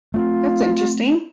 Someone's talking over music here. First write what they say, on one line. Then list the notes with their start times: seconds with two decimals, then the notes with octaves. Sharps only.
That's interesting.
0.14 A3 B3 C4 F4